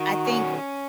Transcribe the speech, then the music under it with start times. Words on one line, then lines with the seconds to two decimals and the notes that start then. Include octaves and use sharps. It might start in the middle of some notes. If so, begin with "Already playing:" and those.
I think
Already playing: D#3 F#4
0.26 C#4